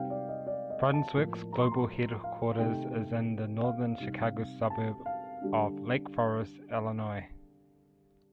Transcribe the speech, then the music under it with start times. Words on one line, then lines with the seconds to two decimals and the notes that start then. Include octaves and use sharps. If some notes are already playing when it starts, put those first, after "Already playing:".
Brunswick's global headquarters is in the northern Chicago suburb of Lake Forest, Illinois.
Already playing: C3 G3 C4 D#4 F5 G5
0.10 D5
0.29 D#5
0.47 D5
0.70 D#5
0.94 A5
1.17 A2 F3 A#3
1.53 A#5
1.62 C6
1.71 A#5
2.24 F5
2.59 C3 D#3 A3 D#4 G5
3.64 F5
4.00 C3 G3 C4 D#4
4.70 A5
5.06 F5
5.41 D3 G3 D4